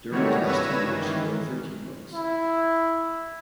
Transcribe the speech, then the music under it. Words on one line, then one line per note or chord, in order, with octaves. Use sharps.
During his last ten years he wrote thirteen books.
D#3 E3 G3 A3 F#4 C#5
G2 B4 C#5 E6 G#6 A#6
D#3 E3
E4